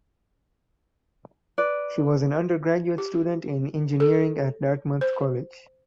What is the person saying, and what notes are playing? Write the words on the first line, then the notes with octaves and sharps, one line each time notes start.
She was an undergraduate student in engineering at Dartmouth College.
B4 D5
G4
A4
C5